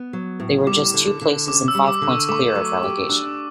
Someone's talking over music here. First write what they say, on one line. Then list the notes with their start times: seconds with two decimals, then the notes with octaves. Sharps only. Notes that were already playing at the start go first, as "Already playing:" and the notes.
They were just two places and five points clear of relegation.
Already playing: B3
0.13 F#3
0.40 A2
0.67 G3 D6
0.94 D3
1.08 D6
1.21 D3
1.48 C#4 D6
1.68 E6
1.75 G3
1.88 D6
2.02 D3
2.08 C#6
2.29 A3 D6
2.55 F#3
2.83 G4
3.09 D4